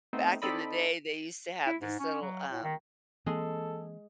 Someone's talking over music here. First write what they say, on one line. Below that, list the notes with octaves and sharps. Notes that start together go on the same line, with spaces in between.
Back in the day they used to have these little, um
A3 B3 C4 D#4
C4 D#4 A4 D5 D#5 B5
E4
G#2
C#4
F#3
A2
D#3
E3 G#3 A#3 C4 G#4 A4